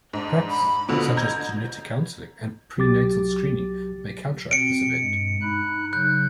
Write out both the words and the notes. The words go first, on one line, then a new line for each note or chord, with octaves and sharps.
Practices such as genetic counselling and prenatal screening may counteract this effect.
G#2 D4
B5
B2 D3 F3 D#5
A#5 G6 G#6
C2 F#3 G4 D6 A6
B2 C4 C#7 D7
G2 G#3
D#4 B5 F#6
C#3 F#3 F#6 G6